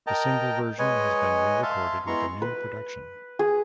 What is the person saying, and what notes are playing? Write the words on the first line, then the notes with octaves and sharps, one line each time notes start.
The single version has been re-recorded with a new production.
A#4 D#5 G5 A5 A#5
G#3 B4 C#5 D#5 G#5
E5 F5 A5 C6
G#3 B3 E4 A#5 C6 C#6
B4
G#4